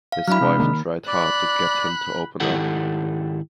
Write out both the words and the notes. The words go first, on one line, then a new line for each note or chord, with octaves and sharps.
His wife tried hard to get him to open up.
F5
F#3 D4 E4 B5 F6
C3 G#3 D4
D#3 A#3
D5 B5 F#6
G#2 D#3 E4 G4 A4 F#5